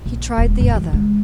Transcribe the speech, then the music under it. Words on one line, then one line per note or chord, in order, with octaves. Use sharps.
He tried the other.
A#1
D#1 G#3
F2 A#2
E3
G#3